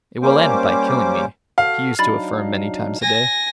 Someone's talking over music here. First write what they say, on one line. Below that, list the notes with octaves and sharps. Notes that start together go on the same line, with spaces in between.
"It will end by killing me," he used to affirm many times a day.
G3 A#3 C#4 C5 D6
F#4 A4 F5
F#3 D4 D#4 B5 A6
G#5 A#6